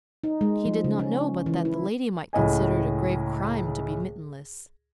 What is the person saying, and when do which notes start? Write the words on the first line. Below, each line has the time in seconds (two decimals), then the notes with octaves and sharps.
He did not know but that the lady might consider it a grave crime to be mittenless.
0.24 D#4
0.41 G#3
0.65 F3
0.84 C#3
0.99 C#4
1.46 E3
1.65 E4
2.33 C#2 A2 D#5 G#5